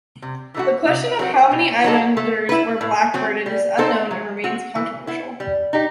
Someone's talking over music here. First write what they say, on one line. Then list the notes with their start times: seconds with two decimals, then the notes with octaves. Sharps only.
The question of how many Islanders were "blackbirded" is unknown and remains controversial.
0.22 C3
0.54 E3 A3 D#4 F#4
0.87 C3
1.19 F#3 C4 F#4
1.51 B2
1.84 F#3 B3 D#4 A4
2.17 A3
2.49 E4 B4
2.81 A2
3.14 F#3 C4
3.46 G3
3.78 C4 D#4 A4 C5
4.11 F#3
4.44 C4 F#4
4.75 E3
5.07 B3 E4
5.40 G3
5.73 D#4 G4